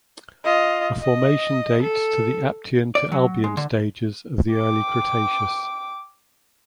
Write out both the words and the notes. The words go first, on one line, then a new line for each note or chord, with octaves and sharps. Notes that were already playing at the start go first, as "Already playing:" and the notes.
The formation dates to the Aptian to Albian stages of the Early Cretaceous.
F4 D#5
D#5
A4
D5
F#3
G#3
D3
G5 D6